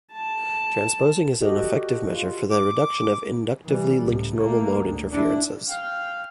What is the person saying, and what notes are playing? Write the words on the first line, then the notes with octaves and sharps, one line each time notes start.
Transposing is an effective measure for the reduction of inductively linked normal mode interferences.
A5
F#4 G4 A4 B4 D5 D#5
F4
D6
E3 G3
C#2 A2
A3 A#3
D2
D4 E4
F5 G5